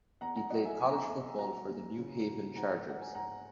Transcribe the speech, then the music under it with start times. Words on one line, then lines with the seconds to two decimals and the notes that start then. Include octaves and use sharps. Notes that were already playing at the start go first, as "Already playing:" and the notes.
He played college football for the New Haven Chargers.
0.21 E2 F#5 A#5
0.36 F#5 A#5
0.50 F#3 D#5 F#5
0.65 E5 G#5
0.80 E2 G#5
0.89 A#5
0.98 E5 G#5
1.09 E2
1.38 F#3 F#5 A#5
1.69 D#2
1.98 C#3
2.27 F#3
2.56 G#2 F#5 A#5
2.85 G#2 F#5
3.01 G#5
3.15 G#2 F#5 A#5